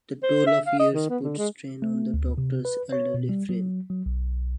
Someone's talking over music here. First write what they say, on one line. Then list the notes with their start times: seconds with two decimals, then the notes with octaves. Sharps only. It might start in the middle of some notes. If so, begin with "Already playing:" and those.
The toll of years put strain on the Doctor's elderly frame.
0.23 C5
0.47 E5
0.67 F5
0.80 D#5
0.93 D#3
1.10 B3
1.23 D3
1.38 G#3
1.82 A3
2.14 D2
2.38 C3
2.65 B4
2.93 C#5
3.14 B2
3.29 G3
3.49 F#3
3.90 F#3
4.06 B1